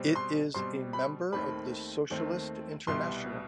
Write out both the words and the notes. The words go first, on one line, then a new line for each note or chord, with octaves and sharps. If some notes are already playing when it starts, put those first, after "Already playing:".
It is a member of the Socialist International.
Already playing: B2 G3 C4
C6
B2 G3 C4 C6
B5
D#2 D#3 A3 C4 B5
D#2 D#3 A3 C4
C2 B2 G3 B3 C6